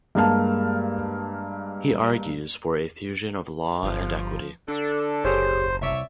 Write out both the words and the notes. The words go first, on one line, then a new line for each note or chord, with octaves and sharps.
He argues for a fusion of law and equity.
G2 G#3 A#3 F5 A5 F6
G1 F3
D3 D4 A4
F#1 G4 G#4 C5 C#5
C2 C#5 D5 E5